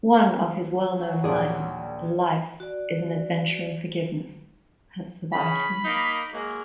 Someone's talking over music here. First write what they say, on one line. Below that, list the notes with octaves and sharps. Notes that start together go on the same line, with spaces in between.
One of his well-known lines, "Life is an adventure in forgiveness," has survived him.
F#3
A#1 D#2 G#4 D5
F#4 D5
C#3 B5
A#3 D#4
F#3 G#3 A#3